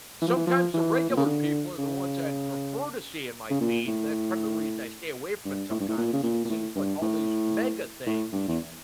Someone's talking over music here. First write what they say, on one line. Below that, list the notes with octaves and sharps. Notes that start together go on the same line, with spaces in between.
sometimes the regular people are the ones I'd prefer to see in my feed- that's part of the reason I stay away from it sometimes- it seems like all these mega things
E3
F3
E3
F3
E3
A#2
C#3
D3
C#3
C#3
A#2
A2
G2
A2
G2
A2
A#2
C#3
A#2
A#2
A2
G2
A2
A2
G2
E2